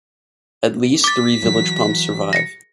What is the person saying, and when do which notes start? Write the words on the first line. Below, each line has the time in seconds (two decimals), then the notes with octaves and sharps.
At least three village pumps survive.
1.04 D6 A6 B6
1.42 E3 F#3
2.33 A#6 C#7